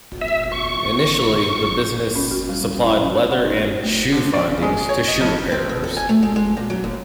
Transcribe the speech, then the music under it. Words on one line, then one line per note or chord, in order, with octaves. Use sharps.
Initially the business supplied leather and "shoe findings" to shoe repairers.
E5
C#6
C#4
F#4
G3
E4
C#4
F#5
D#4
C5
A3
D3
D5
C#3
G#3
C#5
D#5
F2
C4
B2
A4
G#5
A3
G#3
G#3
A#2
F#3
D#2